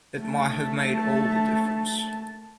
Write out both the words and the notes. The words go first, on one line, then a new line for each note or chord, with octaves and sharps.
It might have made all the difference.
A3 A5